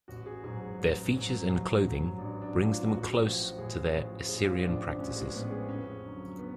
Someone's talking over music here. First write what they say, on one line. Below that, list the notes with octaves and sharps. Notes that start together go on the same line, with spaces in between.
Their features and clothing brings them close to their Assyrian practices.
A1 F#4
G#4
G#2 F#3 G#4
A1
G#2 F#3
A1
G#2 F#3
A1 D4
D4
G#2 F#3
F4
A1 F#4
A2 F3
A1 G#4
A2 F3
A1 G#4
F4
A2 F3 D4
D4
A1 C#4
G#3
A2 F3 B3
G#4
F2 C#4
D3 F#3
B3